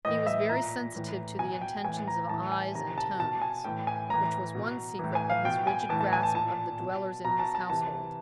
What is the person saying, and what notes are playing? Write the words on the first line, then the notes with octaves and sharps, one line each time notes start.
He was very sensitive to the intentions of eyes and tones; which was one secret of his rigid grasp of the dwellers in his household.
A2 E3 D#5
E5
A#2 A#5
A2 E3
B2 G#5
G5
A2 E3 G#5
A#5
A2 E3 A5
G#5
C3 D#3 A#5
A5
B2 A5
G#5
A2 E3 G5
G#5
A2 E3 A#5
B2
A2 E3
G#5
F5
B2 G5
G#5
A2 E3 A5
A5
G#5
A5
A#2 A5
B2
B2 A#5
A5
A5
C3 E3 A5